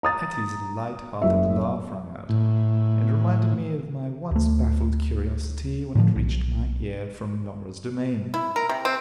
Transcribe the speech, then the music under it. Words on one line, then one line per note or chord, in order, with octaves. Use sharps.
Etty's light-hearted laugh rung out, and reminded me of my once baffled curiosity when it reached my ear from Norah's domain.
A#5 D#6 A6
F#1 E5
A2
D2 A3
A2 D3 D#3 F3
B1
E4
A#4
C3
C4